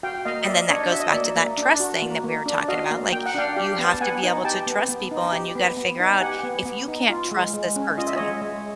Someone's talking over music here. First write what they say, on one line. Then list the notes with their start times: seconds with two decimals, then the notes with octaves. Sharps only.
and then that goes back to that trust thing that we were talking about, like, "You have to be able to trust people and you gotta figure out if you can't trust this person."
0.03 F#4 F5 G5
0.25 A#3 D#5 F5
0.43 D#5
0.47 A#3 D5 E5
0.69 D4 C#5 D#5
0.91 F#4 E5
1.00 D#5
1.09 A#3 D5 E5
1.36 A#3
1.58 D4
1.80 F#4
2.02 A#3
2.24 A#3
2.46 D4
2.68 F#4 D#5 F5
2.91 A#3
3.12 A#3 G5
3.26 F#5
3.34 D4 F5 G5
3.56 G4 F5 G5
3.78 B3
3.89 A5
4.01 B3 F#5 G#5
4.23 D#4
4.45 G4 G5 A5
4.67 B3
4.89 B3
5.11 D#4
5.33 G4
5.55 B3
5.77 B3
6.00 D#4
6.21 G4 F#5 G#5
6.43 B3
6.65 B3
6.88 D#4
7.10 F4
7.31 G#3
7.54 G#3
7.76 C#4
7.98 F4 D#5
8.07 E5
8.16 G#3 C#5 D#5
8.42 G#3